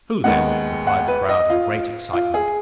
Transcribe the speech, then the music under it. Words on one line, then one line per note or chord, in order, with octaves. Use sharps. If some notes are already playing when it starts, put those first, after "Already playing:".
"Who, then?" replied the crowd in great excitement.
D#2 D#3 G#3 B3 F#5
F#5
B4
D#5
F4
F4
G#4